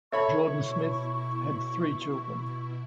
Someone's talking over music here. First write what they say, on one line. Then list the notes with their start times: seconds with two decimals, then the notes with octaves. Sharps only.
Jordan-Smith had three children.
0.12 B2 E4 A4 C#5 E5 B5 C#6